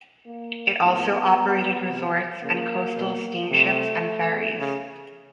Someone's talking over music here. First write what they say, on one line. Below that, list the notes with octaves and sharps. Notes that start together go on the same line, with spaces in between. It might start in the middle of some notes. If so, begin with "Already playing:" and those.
It also operated resorts and coastal steamships and ferries.
A#3
A2 B3
C3
C#3 A#3
B2
C3 A3
C#3